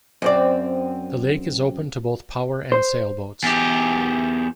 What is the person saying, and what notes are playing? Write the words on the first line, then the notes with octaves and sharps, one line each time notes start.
The lake is open to both power and sail boats.
F#2 C4 D5
C5
E2 G4